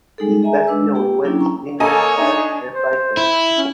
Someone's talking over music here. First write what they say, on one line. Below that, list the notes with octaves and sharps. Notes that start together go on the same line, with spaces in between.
His best-known work is "Indian Fights and Fighters".
G3 G#3 D#4 G#4 A4
G#4 D#5 E5 G#5 A#5
G#3 D4 B4 E6
A#3 G4 G5
F#3 A#3 C#4 D4 E4 G5
A#5 C#6
A#3 A4 C#5 D#5 G#5 A#5
D4 D#4
C5
E4
C#4